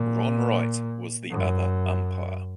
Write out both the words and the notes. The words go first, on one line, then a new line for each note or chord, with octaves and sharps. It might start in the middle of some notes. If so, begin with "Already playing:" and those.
Ron Wright was the other umpire.
Already playing: A#2
F#2